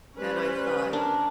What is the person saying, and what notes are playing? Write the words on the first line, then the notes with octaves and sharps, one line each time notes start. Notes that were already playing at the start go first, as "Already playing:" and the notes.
And I thought,
G3 C#4 B4 C5
D4 A#4